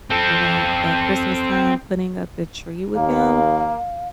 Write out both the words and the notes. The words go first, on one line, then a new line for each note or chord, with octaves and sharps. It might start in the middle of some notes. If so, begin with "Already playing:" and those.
like, at Christmas time, putting up the tree with him,
C4 A4
D#2 A#3 F5